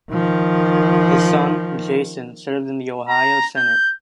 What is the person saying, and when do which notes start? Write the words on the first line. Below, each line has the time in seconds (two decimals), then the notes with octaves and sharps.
His son, Jason, served in the Ohio Senate.
0.12 D#3 F3
3.09 A#5
3.57 G6